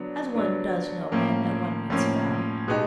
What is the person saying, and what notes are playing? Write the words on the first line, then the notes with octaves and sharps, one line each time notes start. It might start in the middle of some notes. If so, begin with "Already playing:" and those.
"As one does know men that one meets about."
Already playing: D3 F#3 B3 D4
D3 F#3 B3 D4
A2 F3 A#3 C#4
A2 F3 A#3 C#4
B2 G#3 B3 D#4 G4